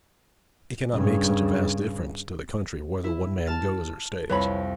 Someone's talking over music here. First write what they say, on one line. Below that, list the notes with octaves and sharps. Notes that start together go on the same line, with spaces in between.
'It cannot make such a vast difference to the country whether one man goes or stays!
G2 C#3
E4
A5 F6 A6
C2 F2 B4 C#5 B5